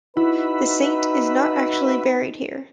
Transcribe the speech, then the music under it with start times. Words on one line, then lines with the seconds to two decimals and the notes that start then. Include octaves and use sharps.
The saint is not actually buried here.
0.17 D#4 E4 F#4 B4 E5 B5